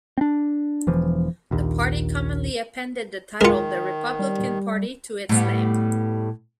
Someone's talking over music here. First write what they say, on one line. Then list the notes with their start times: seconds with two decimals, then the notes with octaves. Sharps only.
The party commonly appended the title "The Republican Party" to its name.
0.17 C4 D4
0.87 E1 E3 F3
1.51 A#1 D#2
3.41 D#3 G#3 F4 A#4 C#7
4.19 G3
5.29 A2 G3 B3